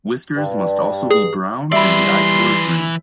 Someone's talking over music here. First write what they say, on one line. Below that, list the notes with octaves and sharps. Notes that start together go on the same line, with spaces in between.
Whiskers must also be brown and the eye color green.
G2
G#4
E3 G3 D5 E5 B5 C6